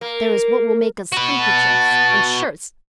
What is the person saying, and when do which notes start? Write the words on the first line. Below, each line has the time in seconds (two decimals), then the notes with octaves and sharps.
There is what will make us handkerchiefs and shirts!
0.01 A#3
1.12 F#4 B4
1.40 A5